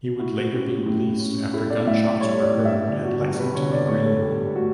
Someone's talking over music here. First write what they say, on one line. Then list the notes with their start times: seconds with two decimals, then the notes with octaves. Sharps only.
He would later be released after gunshots were heard at Lexington Green.
0.19 E4 F#4
0.53 C#4 G4
0.86 A2
1.20 C#4
1.53 E4 A4
1.70 D5
1.87 A2 E5
2.04 D5
2.21 G3 C#5
2.43 D5
2.55 A2
2.65 E5
2.87 G1 D5
3.05 F#4
3.21 G1 G4
3.39 B4
3.55 D3 C#5
3.72 D5
3.88 A3 C#5
4.05 A4
4.22 G2 G4
4.55 A3 F#4